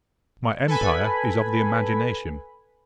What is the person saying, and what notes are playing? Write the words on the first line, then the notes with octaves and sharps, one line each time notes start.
My empire is of the imagination.
A4 B4 G#5 B5